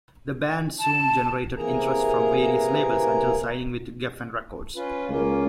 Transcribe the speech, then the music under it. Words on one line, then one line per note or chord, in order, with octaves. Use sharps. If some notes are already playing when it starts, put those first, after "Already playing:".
The band soon generated interest from various labels until signing with Geffen Records.
A5
C3 E3 A#3 G#4 A#4 A#5
C#4 F4 B4
C#2 A#3 C#4 F4